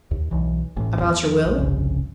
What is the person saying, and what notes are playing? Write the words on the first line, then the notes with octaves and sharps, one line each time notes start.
"About your will?"
D#2
B1 E3
A1 A2
E2 F3
A#1
G1 C2 F2 C#3